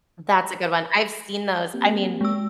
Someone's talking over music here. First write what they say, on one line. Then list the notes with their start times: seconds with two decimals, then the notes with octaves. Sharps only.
That's a good one, I've seen those, I mean
1.74 A#3 C4 G4
2.21 G#3 E6